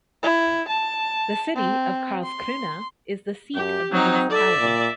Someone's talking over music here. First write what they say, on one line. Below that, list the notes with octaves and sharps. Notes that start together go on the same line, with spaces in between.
The city of Karlskrona is the seat of the municipality.
E4
A5
C4
C6
F#2 G4
F#3 C4 D#4
A4 D5 E5
A#2